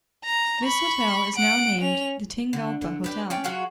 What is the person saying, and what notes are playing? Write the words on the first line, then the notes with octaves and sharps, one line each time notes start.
This hotel is now named the Tingalpa Hotel.
A#5
B5 C#6
F#5 D7
C#4 F7
D3
D3
D4 G4 B4
C#4 D5 G5
F#3 F4 F#4 G#4